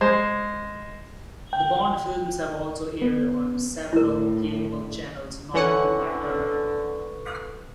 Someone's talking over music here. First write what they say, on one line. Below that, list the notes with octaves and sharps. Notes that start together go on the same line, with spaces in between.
The Bond films have also aired on several cable channels not owned by Turner.
G#3 C5
G5
B3
A2 E4 A#4
D3 E3 C#4 A4 B4 F#5 C#6